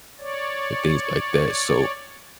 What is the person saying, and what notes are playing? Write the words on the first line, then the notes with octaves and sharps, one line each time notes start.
and things like that. So,
C#5 D5